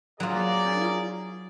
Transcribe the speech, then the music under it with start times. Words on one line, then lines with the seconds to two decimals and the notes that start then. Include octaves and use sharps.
I kind of
0.20 F#3 F4 G#4 A#4 D5